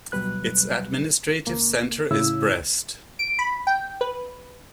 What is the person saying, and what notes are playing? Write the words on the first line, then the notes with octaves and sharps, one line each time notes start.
Its administrative center is Brest.
D2 B2 F#3 G3 B4 F#6
C#2 A#3
A2 C#3 E4 E6
D7
B5
G5
B4